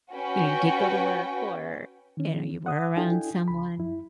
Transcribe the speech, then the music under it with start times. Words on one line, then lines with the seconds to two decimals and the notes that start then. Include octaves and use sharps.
you know, you did go to work or, you know, you were around someone?
0.14 C#4 F#4 B4 G5
2.17 D#3 C#4
2.66 F#5 D#6
2.97 D4 E4 F#4 A4 G5 G#5
3.48 C#2 B5
3.78 F#2 E4